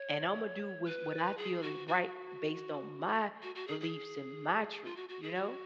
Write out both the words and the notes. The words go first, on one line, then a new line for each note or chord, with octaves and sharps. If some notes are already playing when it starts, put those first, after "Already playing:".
and Imma do with what I feel is right based on my beliefs and my truth,” you know?
Already playing: C#5
B4
G#4
F#4
F#4
F#4
F#4
G#4
G#4
F4
F#4
F#4
G#4
F#4